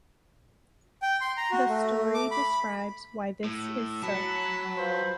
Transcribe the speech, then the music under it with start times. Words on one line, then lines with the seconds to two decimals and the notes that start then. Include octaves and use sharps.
The story describes why this is so.
1.02 G5
1.21 C6
1.37 A#5
1.51 F#4
1.69 A3
2.14 D6
2.31 B5
3.44 A2 E6
4.03 F#3 A5 B5
4.78 F4 B4 C5